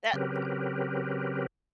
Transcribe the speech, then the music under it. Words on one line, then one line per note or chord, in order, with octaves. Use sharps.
That, uh,
C#3 F#3 C4 G4 A#4 B4